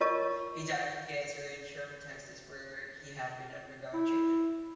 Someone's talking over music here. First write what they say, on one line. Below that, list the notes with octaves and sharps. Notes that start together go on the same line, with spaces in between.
He died from cancer in Sherman, Texas where he had been undergoing treatment.
F4 A#4 C#5 D#5 A5 C#6
E4